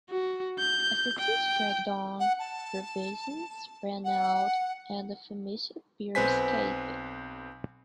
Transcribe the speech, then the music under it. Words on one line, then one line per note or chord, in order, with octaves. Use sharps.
As the siege dragged on, provisions ran out and the famished bear escaped.
F#4
G6
G5
F#5
A5
F#5
B1 C4 B4 C5 G#5 B6